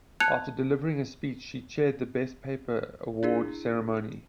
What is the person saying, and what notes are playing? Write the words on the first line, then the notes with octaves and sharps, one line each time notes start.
After delivering a speech, she chaired the best paper award ceremony.
A5 F#6 G#6 C#7 F7
D4 E4 G#4